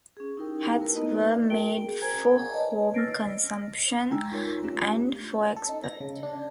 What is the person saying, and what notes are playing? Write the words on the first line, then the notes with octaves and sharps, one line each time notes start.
Hats were made for home consumption and for export.
C#4 G#4
D#4 E4 G4 A#4 G5
A3 E4 F#4 A#4 B4
A#3 B3 D#4 D#5
F#4 D5
F#4 A#4 G5 A5 D7 G7
G#4
A#4 C5 G#5 A#5 G#6
B4 C#5 D#5 A5
E6 F6 A6 A#6 C7 D7
G#3 G5 G#5 A#5 E6
D#4 F4 A#4 C#5
A3 C#4 D4 F4 G4
A4
D#4
A#6
C#3
D4